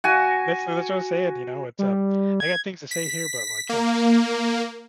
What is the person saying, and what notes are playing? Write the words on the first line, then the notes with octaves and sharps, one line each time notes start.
That's that's what I'm saying, you know, it's, um I got things to say here, but, like, I'm just,
F#4 G#5
G3
G#6
B6
A#3